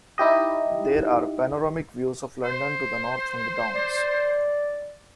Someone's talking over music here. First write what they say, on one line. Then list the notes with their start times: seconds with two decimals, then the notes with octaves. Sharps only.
There are panoramic views of London to the north from the Downs.
0.18 D#4 E4 G4 D#5
2.44 C5
3.75 D5